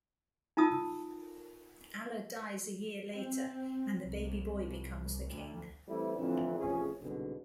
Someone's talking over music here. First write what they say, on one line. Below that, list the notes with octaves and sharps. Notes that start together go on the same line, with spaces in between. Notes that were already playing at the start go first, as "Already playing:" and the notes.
Alla dies a year later, and the baby boy becomes the King.
D#4 F4 A5 D#6 E6
C4
C2
D2
E3 G3 A3 C4 E4
F2 A2 D3 E3 C4 D4
A1 C3 F3 C#4 G#4
C2 G#2 B2 D3